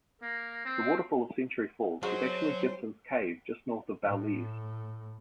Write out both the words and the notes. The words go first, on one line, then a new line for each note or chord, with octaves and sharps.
The waterfall of Century Falls was actually Gibson's Cave, just north of Bowlees.
A#3
C4
F#3 G#3 C#4 F#4 A4 C5 C#5
A2